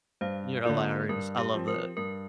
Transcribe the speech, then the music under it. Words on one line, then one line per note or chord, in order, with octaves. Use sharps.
You're hilarious. I love that.
G2 C5 F5
D3 A#3 F4 A#4 D5
G2 A#4
G4
F3 C4
A#4
G2 A#4